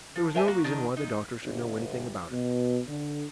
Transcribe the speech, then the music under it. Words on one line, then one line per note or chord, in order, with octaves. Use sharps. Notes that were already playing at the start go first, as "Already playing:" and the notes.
There was no reason why the doctor should know anything about it.
F3
A#4 C5 E5 G#5 A5
A#3 F#4
D#3 D4 D#4
E2 D#4
G1
B2
D3